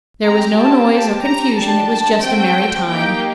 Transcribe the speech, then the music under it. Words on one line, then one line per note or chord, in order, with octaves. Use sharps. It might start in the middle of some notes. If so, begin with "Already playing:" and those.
There was no noise or confusion; it was just a merry time.
C4 G4 A#5
A5
C4 G4 A5
A#5
D4 G4 A5
A5
C4 F#4 A4 G5
A#3 D#4 G4 G5